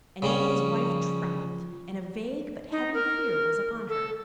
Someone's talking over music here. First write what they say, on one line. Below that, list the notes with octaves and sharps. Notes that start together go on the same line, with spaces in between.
And yet his wife trembled, and a vague but heavy fear was upon her.
C#3 G3 C#4
F3
D#4
A#4
A4